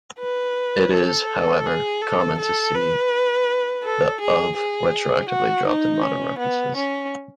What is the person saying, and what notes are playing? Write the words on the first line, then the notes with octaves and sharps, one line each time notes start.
It is, however, common to see the "of" retroactively dropped in modern references.
B4
A4
G#4
A4
A4
B4
A4
G#4
G#4
F#4
D#4
C#4
B3
C#4